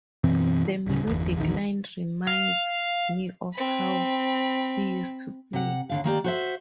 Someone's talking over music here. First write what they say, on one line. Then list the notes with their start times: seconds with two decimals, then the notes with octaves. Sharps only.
The melodic line reminds me of how he used to play.
0.24 F#2 B2 E3 C4
0.86 D1 C#3
1.07 G1 E2
1.39 A#1 E2 D#3
2.27 F5
3.53 C4 B5
5.53 C3 F#5
5.89 D#2 D3 F5
6.04 D#3 A#3 G4 D5
6.24 F#4 C5 E5